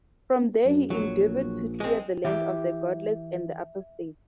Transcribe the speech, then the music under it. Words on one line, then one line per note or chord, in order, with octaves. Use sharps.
From there he endeavored to clear the land of "the godless and the apostate".
F#2
A#1 F#3
G#3 C4
E3 G4 E5